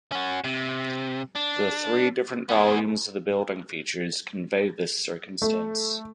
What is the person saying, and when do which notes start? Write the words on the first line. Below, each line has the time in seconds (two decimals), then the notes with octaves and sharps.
The three different volumes the building features convey this circumstance.
0.12 C#4 F#4
0.44 C3
1.35 D4
2.49 B3 G#4
5.42 A3